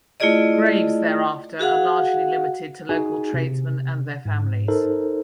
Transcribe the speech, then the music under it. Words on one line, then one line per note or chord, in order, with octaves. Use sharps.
Graves thereafter are largely limited to local tradesmen and their families.
A3 E4 F4 G#4 D5 D#5
F#4 G#4 F5 F#5
D#4 F#4 G#4 G#5
C3
G#2
D#4 A4 A#4 C5